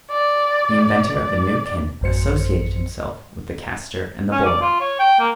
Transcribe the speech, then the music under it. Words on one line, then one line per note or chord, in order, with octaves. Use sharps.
The inventor of a new cannon associated himself with the caster and the borer.
D5
D5
A1 F#2 C5 C#7
C#4
D5
F4
C#5
G5
A#3